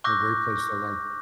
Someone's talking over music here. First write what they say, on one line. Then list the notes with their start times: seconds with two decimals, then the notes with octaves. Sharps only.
they're a great place to learn.
0.04 C#6 D6 E6 F#6 G6 A#6